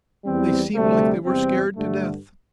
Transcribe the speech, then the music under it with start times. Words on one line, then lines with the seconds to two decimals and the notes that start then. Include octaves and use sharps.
They seemed like they were scared to death.
0.25 E2 E3 G3 C4
0.76 D2 C3 G3 A3
1.25 E2 C3 G3 C4
1.76 G2 D3 G3 A3